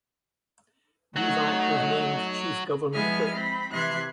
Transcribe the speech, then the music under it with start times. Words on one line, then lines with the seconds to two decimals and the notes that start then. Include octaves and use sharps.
Levac was named chief government whip.
1.16 F#3 A3 D#4 F#5
2.93 F3 G#3 B3 E4 G#5 F6
3.34 C4 B5
3.70 C3 E3 E5 C6 F#6 G#6